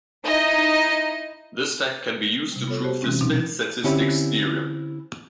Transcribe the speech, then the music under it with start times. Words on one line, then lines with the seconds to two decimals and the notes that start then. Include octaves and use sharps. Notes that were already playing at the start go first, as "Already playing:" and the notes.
This fact can be used to prove the spin-statistics theorem.
0.23 D#4 E4 D#5
2.52 C3 G3
2.68 B3 F4 A4 C#5
2.83 F#4 G4 C5 C#5
3.02 C3 E3 G#3 C4 C#4
3.21 B2 F#3 C4 C#4 D#4
3.84 D3 C4 C#4 E4 G4